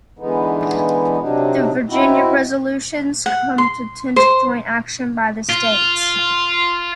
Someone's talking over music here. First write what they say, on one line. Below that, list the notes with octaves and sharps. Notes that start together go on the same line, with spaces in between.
The Virginia Resolutions contemplate joint action by the states.
D3 E3 G#3 B3 D#4
C3 F#3 D4 D#4
C4 D#4 E4 F#4
F#5
C6
C5
F4